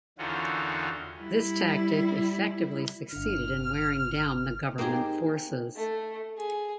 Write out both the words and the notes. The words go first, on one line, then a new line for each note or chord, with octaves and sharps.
This tactic effectively succeeded in wearing down the government forces.
E2 D3 D#3 C#4 F4 F#4
G3 E4
G1 D3 F6
A#3 C4 D#4 G4 G#4
A3
G#4